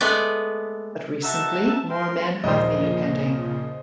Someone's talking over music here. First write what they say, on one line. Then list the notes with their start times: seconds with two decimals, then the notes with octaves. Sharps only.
But recently more men have been attending.
0.01 G#3 A3 B3 B4 D5
1.23 D#4 F#4 A4 E5 A5
1.90 A#4 G5 C6
2.44 A#1 D#2 A#2 C#3 F3 C5 D#5 C6